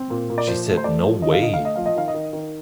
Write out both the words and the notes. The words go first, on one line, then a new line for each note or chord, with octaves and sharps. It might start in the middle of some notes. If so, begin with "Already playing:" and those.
She said No way!
Already playing: C4
A#2
A#2
D5
F3 C5
A3
C5
A3 D5
F3
D3 D#5
F5
D3 D#5
A3 F5
D#5
F3 F5
D#5
D#3 F5
D#5
D#3
D#3